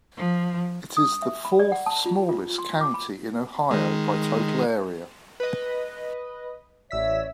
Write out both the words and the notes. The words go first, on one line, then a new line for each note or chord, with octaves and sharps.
It is the fourth-smallest county in Ohio by total area.
F3
D#6
E5
B5
D5
F#5
A5
F4
F4
C6
D6
B5
D#3 G#3
B4 D#5
A1 C#5 D5 E5 E6 B6